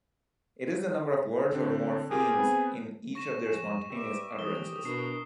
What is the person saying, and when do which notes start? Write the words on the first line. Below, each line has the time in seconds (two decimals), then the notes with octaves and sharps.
It is the number of words or morphemes in each of their spontaneous utterances.
1.52 D3 C4
2.11 F4 G4 G#4 A#4
2.35 B3 C4 B4
3.15 C#6 A#6 E7
3.46 F2 G#4
3.90 G4 B4 D5 E5 D6
4.39 E3 E4 G4 D#6 G7
4.85 B2 D4 E4 A#4 C7